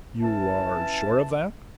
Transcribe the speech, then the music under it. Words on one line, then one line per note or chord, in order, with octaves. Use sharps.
"You are sure of that?"
E3 C#4 A5